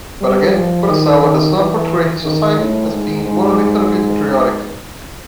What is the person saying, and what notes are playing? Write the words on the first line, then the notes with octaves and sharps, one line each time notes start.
But again, Kurosawa does not portray his society as being monolithically patriotic.
G3
F3
D#3
D#3
E3
D#3
A2
G#2
G#2